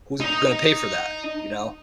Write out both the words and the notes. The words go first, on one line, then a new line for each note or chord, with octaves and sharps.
who's gonna pay for that? You know?
D#4 D#5